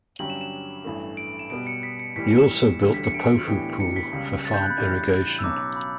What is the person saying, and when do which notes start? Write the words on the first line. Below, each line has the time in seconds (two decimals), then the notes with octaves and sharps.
He also built the Pofu Pool for farm irrigation.
0.19 G1 G2 F#3 C#4 G4 F#7
0.30 E7
0.41 E7
0.85 A1 G2 E3 A3
1.17 D7
1.39 E7
1.50 B2 G3 B3 D7
1.67 C#7
1.83 B6
2.00 C#7
2.16 A2 E3 G3 B6
2.27 C#7
2.38 E7
2.81 E1 D2 D3 G3
2.94 B6
3.04 C#7
3.14 D7
3.47 A2 E3 B3 D4 G4
3.80 C#7
3.96 B6
4.13 C#2 C#3 G3
4.45 A6
4.54 G6
4.62 F#6
4.70 B5
4.78 A1 A2 G3 D4
5.39 E6
5.44 B1 B2 F#3 C#4 D6
5.76 B5